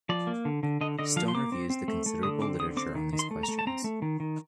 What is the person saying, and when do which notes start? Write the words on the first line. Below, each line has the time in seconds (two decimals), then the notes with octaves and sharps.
Stone reviews the considerable literature on these questions.
0.09 F3 D5
0.27 A#3
0.45 D3
0.63 D3
0.81 D3 D#5
0.99 D3 D#5
1.16 F3 F5
1.28 C6
1.35 A#3 D6
1.52 C4
1.70 C4
1.88 A3
2.06 A3
2.23 D3 D#6
2.42 C4 D6
2.59 D3 D#6
2.77 C4 D6
2.95 D#3
3.13 D#3
3.19 C6
3.31 A3
3.43 A#5
3.48 A3
3.59 A5
3.67 C4 A#5
3.84 A3
4.02 D#3
4.20 D#3